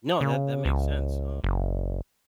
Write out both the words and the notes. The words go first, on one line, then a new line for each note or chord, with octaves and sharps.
No, that that makes sense, um,
C#3
C#2
F#1